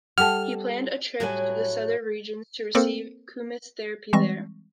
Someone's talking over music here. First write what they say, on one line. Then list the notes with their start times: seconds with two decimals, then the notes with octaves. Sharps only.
He planned a trip to the southern regions to receive kumiss therapy there.
0.18 G3 A4 F#5 G5 A5 F6
1.20 A2 F#3 G3 E4 G#5
2.75 A#3 C4 A4 A#4 C5
4.13 E3 G3 G#3 C4 C#6 A#6